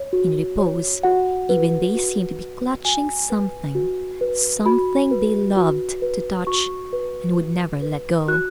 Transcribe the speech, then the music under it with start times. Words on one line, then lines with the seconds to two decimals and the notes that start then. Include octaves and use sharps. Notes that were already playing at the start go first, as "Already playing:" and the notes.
In repose, even, they seemed to be clutching something, something they loved to touch, and would never let go.
Already playing: C#5
0.13 F#4
0.59 C#5
1.03 F#4 F#5
1.49 B4
1.95 F#4
2.39 B4
2.85 F#4 G#5
3.30 B4
3.75 F#4
4.21 B4
4.66 F#4 B5
5.11 B4
5.56 F#4
6.02 B4
6.47 F#4 C#6
6.93 B4
7.38 F#4
7.82 B4
8.28 F#4 F#6